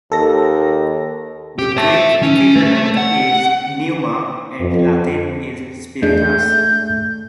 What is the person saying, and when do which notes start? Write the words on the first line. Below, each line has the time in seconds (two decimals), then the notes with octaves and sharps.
The Greek equivalent is "pneuma" and the Latin is "spiritus".
0.12 D#2 A4 A#6
1.59 G4
1.77 E5 A5
2.23 C#4
2.56 A3
2.97 F#5
4.61 F2
6.02 E2 G#3 A3 D4 G6